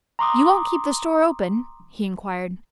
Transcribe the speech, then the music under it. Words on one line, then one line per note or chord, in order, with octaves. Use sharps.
"You won't keep the store open?" he inquired.
A#5 C6 D6 D#6